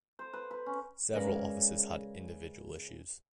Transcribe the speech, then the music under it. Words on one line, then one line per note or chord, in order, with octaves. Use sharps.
Several offices had individual issues.
C5
B4
B4
C#4
C#3 F3 G#3 A#4 B4 D5